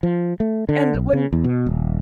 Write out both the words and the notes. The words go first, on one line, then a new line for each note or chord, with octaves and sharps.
And when
F3
A3
D3
B1
C#3
E2
B2
D#1